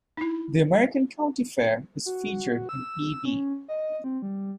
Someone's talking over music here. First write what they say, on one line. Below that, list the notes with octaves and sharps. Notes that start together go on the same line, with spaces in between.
The American county fair is featured in E. B.
D#4 E4
F#4
E6
C#4
D#5
C4
G3